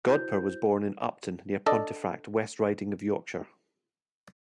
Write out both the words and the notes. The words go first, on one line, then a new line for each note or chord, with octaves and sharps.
Godber was born in Upton, near Pontefract, West Riding of Yorkshire.
E4 F#4 C5 G6
D4 A4 D5 D#5